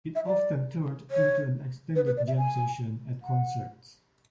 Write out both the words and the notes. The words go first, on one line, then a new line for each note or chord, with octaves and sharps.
It often turned into an extended jam session at concerts.
E5
D5
C#5
B4
B4
D5
E5
G#5
F#5